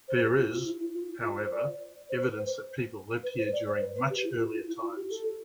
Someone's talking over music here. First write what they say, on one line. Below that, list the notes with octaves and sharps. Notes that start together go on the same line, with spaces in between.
There is, however, evidence that people lived here during much earlier times.
C5
G4
F4
F4
E4
E4
F4
F4
C5
D5
C5
B4
C5
B4
C5
D5
C5
B4
B4
G4
E4
F4
F4
E4
F4
G4
A4